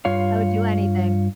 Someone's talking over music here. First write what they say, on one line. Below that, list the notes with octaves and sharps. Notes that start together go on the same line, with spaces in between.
I would do anything,
G2 F4 C#5 F5